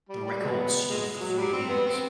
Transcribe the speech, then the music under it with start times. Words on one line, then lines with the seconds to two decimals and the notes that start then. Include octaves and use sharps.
The record stood for three years.
0.09 G3
0.24 G3
0.41 F#3 G#3 B3
0.88 G#3
1.21 F#3
1.38 G3
1.53 C4
1.69 B3
1.86 C4